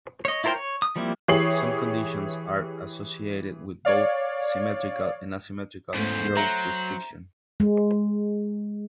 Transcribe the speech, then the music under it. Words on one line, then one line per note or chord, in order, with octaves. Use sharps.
Some conditions are associated with both symmetrical and asymmetrical growth restriction.
C#5 D#5
E4 F4 A#4 C5 G5
C#5
D#6
F3 G3 A#3 C4 E4
E3 G4 G#4 C#5 C7 F#7
C#5 D5 F5
E2 G#2 C#3 A3 C5
F#3 E5 A#5
G#3